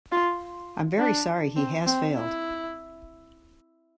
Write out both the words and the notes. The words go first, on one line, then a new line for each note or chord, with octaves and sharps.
I’m very sorry he has failed.
F4
D4
C4
C4
E4